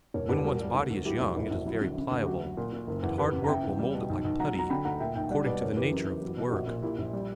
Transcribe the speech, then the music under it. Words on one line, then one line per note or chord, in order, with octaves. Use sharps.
When one's body is young, it is very pliable, and hard work will mould it like putty according to the nature of the work.
E1 A#4 C#5
E1 G4 B4
G3 F#4 A#4
G3
D2
D2
F#3 E4 G4
E1
A#1 E4
A#1 F#4
F#3 E4
D3
C#3
D2
G4
F#3 F#4
F#3
A#2
A#2
F#1
E2
F#1 G4 B4
C#3
A#5
C#3 E5 G5
E2
G3
B2
B1
B1
F#3 F#5 A#5
F#3 A#5
D3 G5 B5
D2 F#5 A#5
A#2 E5 G5
B1 E5 G5
G3 D5 F#5
B2 B4 D5
F#1 A#4 C#5
E3 G4 B4
F#2
E3
F#3
B2
G4
A#1 F#4
A#2
A#2 E4 G4
A#1
G3